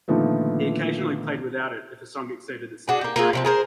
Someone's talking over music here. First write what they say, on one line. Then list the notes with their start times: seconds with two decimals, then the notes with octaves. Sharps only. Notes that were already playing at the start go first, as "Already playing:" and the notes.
He occasionally played without it, if a song exceeded its limited range.
0.08 A#2 D3 D#3 F3 A3 B3
2.88 D4 F#4 G#4
3.01 A#3 G4
3.16 A#3 F4 G#4
3.33 C3 F3 C4
3.45 G#4 A#4 C5